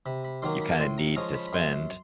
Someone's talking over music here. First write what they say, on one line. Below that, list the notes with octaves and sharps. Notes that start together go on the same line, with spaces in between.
you kinda need to spend.
C3 B5
B5
D#3 F#3 A#3 C6
B5
A2 C6
A#5
F3 G#3 C#4 A#5
B5
B5
F#2 C6